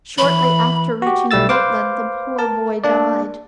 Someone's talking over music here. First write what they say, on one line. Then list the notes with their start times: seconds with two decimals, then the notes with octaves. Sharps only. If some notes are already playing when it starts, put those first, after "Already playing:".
Shortly after reaching Portland the poor boy died.
0.18 E3 B5
1.02 F#4 G4
1.31 B1 G3 A3 E6 A6
1.49 B4 C5 F5 D6
2.39 A#4 A5
2.84 A#3 D4 D5